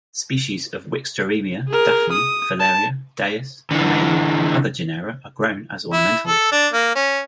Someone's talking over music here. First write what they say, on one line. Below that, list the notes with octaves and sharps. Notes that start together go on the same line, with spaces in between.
Species of "Wikstroemia", "Daphne", "Phaleria", "Dais", "Pimelea" and other genera are grown as ornamentals.
G#4 A#4
D#6
A5
D3 E3
E4
A4
D4
A#3
C#4